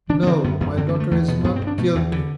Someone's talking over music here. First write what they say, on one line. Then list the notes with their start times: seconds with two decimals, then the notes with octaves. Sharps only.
No, my daughter is not guilty.
0.09 D3 D4
0.23 B3
0.26 D3 C4
0.44 F#2 B3
0.61 F#2 B3
0.77 D3 C4
0.89 A3
0.94 G2
1.00 A3
1.11 E2 A3
1.28 B2 B3
1.44 G2 B3
1.56 C4
1.62 G2
1.67 D4
1.78 B2 A3
1.95 E2 E3
2.12 D3 E3